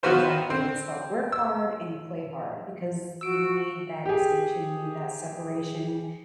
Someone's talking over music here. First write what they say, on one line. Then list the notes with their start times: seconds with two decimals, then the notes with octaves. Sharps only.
Exactly, it's called "work hard and play hard," because you need that distinction, you need that separation.
0.03 F#3 B3 F4 F#4 B4 C5
0.50 C4
1.32 E6
3.21 F#4 E6 D7
4.05 G4 G#4